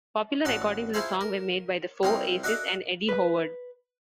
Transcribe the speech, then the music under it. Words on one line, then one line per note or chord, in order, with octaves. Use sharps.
Popular recordings of the song were made by The Four Aces and Eddy Howard.
A1 F#4 D5 A5
E4 F4 G#4 A4 C5 E5
A#4
C2 G3 F4 A#4 D#6
D4 F#4 D#5 E5 F#5 D6
B4